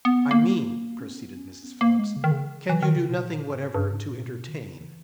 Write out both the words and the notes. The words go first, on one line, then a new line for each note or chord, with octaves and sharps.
"I mean," proceeded Mrs. Phillips, "can you do nothing whatever to entertain?"
B3
A#3
C#4
B3
C#4
B3
A#3
G#3
C#3
D#3
C#3
E3
D#3
C#3
B2
A#2
G#2
G2
G#2
A#2
B2
D#3
C#3
E3